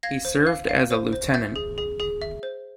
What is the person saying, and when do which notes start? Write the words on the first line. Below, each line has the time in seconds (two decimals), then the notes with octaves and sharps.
He served as a lieutenant.
0.03 F5 G#6 A#6
0.25 C5
0.47 F5
0.69 F5
0.91 C5
1.13 C5
1.34 E5 G6 A6
1.56 G#4
1.78 G#4
2.00 G#4
2.22 E5
2.43 C5